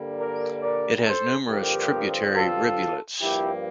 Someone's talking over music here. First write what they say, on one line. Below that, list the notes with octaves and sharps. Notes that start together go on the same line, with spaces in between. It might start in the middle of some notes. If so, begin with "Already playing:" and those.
It has numerous tributary rivulets.
Already playing: G2 D3 G3 A#3
A#4 D5
A#4 D5
A4 C5
G2 D3 F3 C4 G4 A#4
F4 A4
G2 F3 A#3 E4 G4